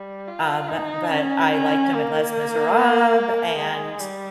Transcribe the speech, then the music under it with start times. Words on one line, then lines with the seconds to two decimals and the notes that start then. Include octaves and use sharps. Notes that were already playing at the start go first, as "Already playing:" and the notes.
um, but I liked him in Les Misérables and,
Already playing: G3
0.28 F4
0.69 D#4
1.10 C#4
1.52 C#4
1.94 A#3
3.58 G#3
4.00 G3